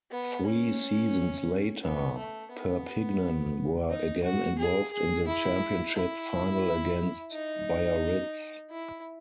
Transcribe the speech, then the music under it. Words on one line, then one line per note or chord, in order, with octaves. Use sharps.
Three seasons later Perpignan were again involved in the Championship final against Biarritz.
B3
C#4
B3
A3
B3
D#4
F#4
G#4
G#4
E4
E4
D#4
E4